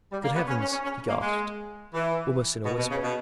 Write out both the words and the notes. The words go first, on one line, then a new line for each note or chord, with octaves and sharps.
"Good Heavens!" he gasped, almost in a whisper.
G3
A#3
B3
C#4
C#4
C#4
C#4
A#3
G#3
E3
B2
B2
C#3
B2